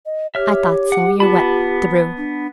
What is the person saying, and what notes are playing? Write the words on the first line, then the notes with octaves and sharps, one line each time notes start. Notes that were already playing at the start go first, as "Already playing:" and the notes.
'I thought so; you're wet through.'
D#5
G4 C#5 E5 F6
F#5
B3 F4 A5 B5
D4